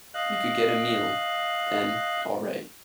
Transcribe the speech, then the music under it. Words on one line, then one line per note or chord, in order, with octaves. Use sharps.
You could get a meal, then, all right.
D#5 F5 F#6